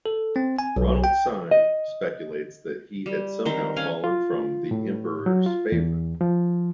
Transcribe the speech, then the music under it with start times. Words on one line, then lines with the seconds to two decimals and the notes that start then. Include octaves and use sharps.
Ronald Syme speculates that he had somehow fallen from the Emperor's favour.
0.06 A4
0.36 C4
0.59 G#5
0.76 B1
1.04 G5
1.51 D#5
3.06 G3
3.45 D#3 C4 A#4 C5
3.76 C#4 F5 G#5
4.04 F4
4.71 A2
5.26 F#3
5.46 F4
5.72 E2
6.21 F3